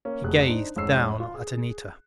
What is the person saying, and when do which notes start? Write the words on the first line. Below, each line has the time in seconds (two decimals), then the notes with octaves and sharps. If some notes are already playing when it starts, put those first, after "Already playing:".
He gazed down at Anita.
0.05 A#3 C#4
0.23 F1 F2 G#4 F#6
0.46 D4 D#4 C5
0.76 F2 G#2 C#4 E6 C7
1.20 F4
1.34 G#4